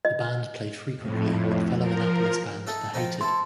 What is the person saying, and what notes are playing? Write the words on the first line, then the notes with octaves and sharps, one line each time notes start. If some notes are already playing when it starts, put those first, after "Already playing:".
The band played frequently with fellow Annapolis band The Hated.
D#5
F2 A2
F3 A#4
D#4 A4 E5
D#3 F3 D#4
E4 A4 C6